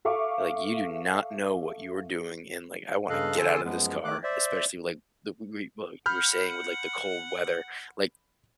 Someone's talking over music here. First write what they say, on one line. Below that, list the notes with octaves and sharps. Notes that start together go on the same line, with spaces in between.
like, "you do not know what you are doing," and, like, "I wanna get out of this car," especially, like, the wa wa what you were saying with, like, the cold weather, like,
A4 E5 F5 C#6 D6
G2 C#3 A4 D#5 F5 F#6
D3 A4 G#5 A5 C6
F#2 F3 G#3 B3
D#3 A3 D6 F#6
C5 D5 E5
F#5 B5 F6 G6